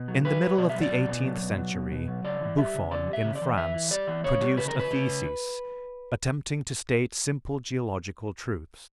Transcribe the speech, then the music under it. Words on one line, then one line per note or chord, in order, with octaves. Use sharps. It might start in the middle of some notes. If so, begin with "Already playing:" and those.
In the middle of the eighteenth century Buffon, in France, produced a thesis attempting to state simple geological truths.
Already playing: B2
F#3
F#3 B4
F#3
B2 D5
E5
F#3
D5
B2
B2
F#3
B2
F#3
B2
B2
F#3
C#3 D5
E3
G3 E5
C#3
C#3 D5
G3
E5
C#3
D5
E3
E3 E5
E3
G3 D5
E3
C#3 C#5
G3
C#3 B4
A#4
C#3
B4
C#3